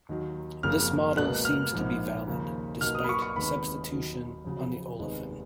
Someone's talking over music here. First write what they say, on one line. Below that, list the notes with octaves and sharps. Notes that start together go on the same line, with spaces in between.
This model seems to be valid despite substitution on the olefin.
D#2 D#3 F#3
F#1 F2 C#3 F3 A#3 F6
C#2 B2 A#3 F#6
F6
A#1 G#2 F3 A#3
D#2 C#3 F3 A#3
B1 B2 A#3 F6
D#6
B5
C#6
C#6
F1 D#2 D#3 G#3 B3 B5
D#2 D#3 F#3
F2 C#3 F#3
F1 D#2 D#3 G#3 B3